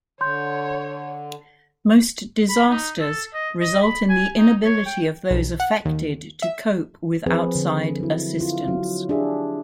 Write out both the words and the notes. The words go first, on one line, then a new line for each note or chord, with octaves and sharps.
Most disasters result in the inability of those affected to cope with outside assistance.
D3 C#5 C6 G6
B5
D#4
A4
D#5
D#5
B5
G#5
D#4
C#5
G5
B1
F#5
D#2
E5
F3 C4 G#4 B4
D3
F#3 E4
E4 F4
F#3
F#3 D4 G4 G#4 E5